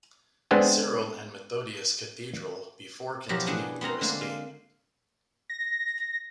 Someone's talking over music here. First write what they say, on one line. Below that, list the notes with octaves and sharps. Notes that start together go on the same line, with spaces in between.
Cyril and Methodius Cathedral before continuing their escape.
G#3 B3 C4 D4 C5 D#5
B2 F3 F#3 E4 G4 A#4
E3 D4 G#4 F#5 G#5
B3 C4 A#4 A#5
D3 G#3 A#3
F5
A#6